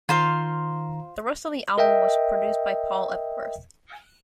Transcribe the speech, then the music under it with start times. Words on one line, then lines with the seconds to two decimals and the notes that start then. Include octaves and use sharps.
The rest of the album was produced by Paul Epworth.
0.09 D#3 F4 C5 F5 A#5
1.78 A#4 D#5 E5 G5